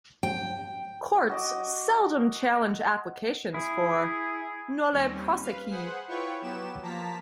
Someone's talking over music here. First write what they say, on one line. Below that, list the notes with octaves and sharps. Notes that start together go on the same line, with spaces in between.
Courts seldom challenge applications for "nolle prosequi".
G5
F#4 D#5 D6
E4 G#4
D#2 G3 C4 C#4
B4 F5
G#4 B4 C5 F#5
E4 F4 B4 C#5 G5 C#6
F#3 B3 G4 E7
F3 A#3 A5 A#5 B6